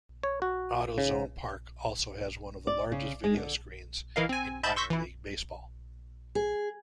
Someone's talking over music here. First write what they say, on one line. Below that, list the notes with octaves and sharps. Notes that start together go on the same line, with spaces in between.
AutoZone Park also has one of the largest video screens in minor league baseball.
C#5
F#4
C#3
D5
C#3
G#3
D3
E3 E4 A#4 D#5 F5
C4 G#5
D#5 E5 A5 B5 G6 A6
C6 C#6 E6 G6 A#6 B6
E3 E4
G#4